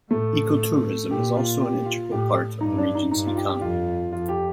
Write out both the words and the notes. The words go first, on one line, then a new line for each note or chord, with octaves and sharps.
Ecotourism is also an integral part of the region's economy.
A2 A3
A#2 G4
F4
G4
F4
A2 G4
G2 D#4
D4
D#4
G2 D#4
F4
G4
F2 F4
F2 F4
G4